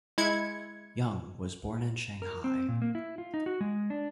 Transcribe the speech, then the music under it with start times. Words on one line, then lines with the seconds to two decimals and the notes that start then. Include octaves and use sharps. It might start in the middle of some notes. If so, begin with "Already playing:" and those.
Young was born in Shanghai.
0.18 G#3 E4 G#6 C#7
2.22 A#4
2.44 C4
2.69 A#2
2.82 A#3
2.95 E4
3.18 F4
3.34 D#4
3.46 F#4
3.61 G#3
3.90 D4